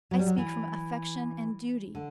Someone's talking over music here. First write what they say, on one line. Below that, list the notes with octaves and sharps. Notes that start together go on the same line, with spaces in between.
I speak from affection and duty.
F#3
G3
F#3
E3
D3